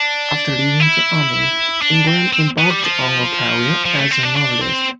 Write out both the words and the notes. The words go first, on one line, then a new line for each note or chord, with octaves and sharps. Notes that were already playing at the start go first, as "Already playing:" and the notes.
After leaving the Army, Ingram embarked on a career as a novelist.
Already playing: D4
E4
D4
C4
C4
B3
G3
F3
F3
A3
C4
D4
D4
C4